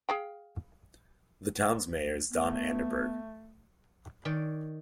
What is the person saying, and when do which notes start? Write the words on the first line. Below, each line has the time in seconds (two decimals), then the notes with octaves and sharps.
The town's mayor is Don Anderberg.
0.09 G#4 F5 G5
2.31 A3 B3
4.25 D#3 C#5 D5